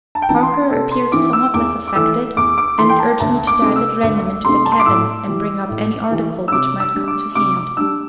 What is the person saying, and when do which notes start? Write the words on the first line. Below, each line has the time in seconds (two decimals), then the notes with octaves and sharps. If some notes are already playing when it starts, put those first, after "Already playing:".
Parker appeared somewhat less affected, and urged me to dive at random into the cabin, and bring up any article which might come to hand.
0.15 A5
0.22 G5
0.29 E3 C4 E4 A5
0.43 C6
0.70 C3 A4
0.91 C6
1.12 E3 C4 E4 D6
1.33 E6
1.53 E2 D6
1.88 D6
1.95 E3 A3 E6
2.36 E2 D6
2.58 D6
2.78 E3 A3 C6
2.89 G5
3.00 A5
3.20 D2 A5
3.47 D6
3.62 C3 A3 C4
3.76 E6
4.02 D2
4.44 C3 A3 C4 C6
4.66 A5
4.72 C6
4.80 D6
4.86 A2 E6
5.27 E3 G3
5.69 A2
6.11 E3 G3
6.48 E6
6.52 C3 D6
6.80 E6
6.94 G3 D4
7.08 D6
7.35 C3 D6
7.56 D6
7.77 G3 D4 E6